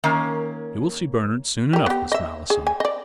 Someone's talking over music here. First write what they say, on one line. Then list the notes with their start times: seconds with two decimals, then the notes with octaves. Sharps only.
"You will see Bernard soon enough, Miss Malleson."
0.04 D#3 A#3 C#4
1.73 G4 A#4
1.86 B3 G4
2.12 D#5 E5
2.50 G#4
2.67 G#5
2.80 D5 D#5